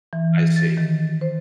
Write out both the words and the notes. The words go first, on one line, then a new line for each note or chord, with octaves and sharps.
I see.
E3
A6
D#3
C5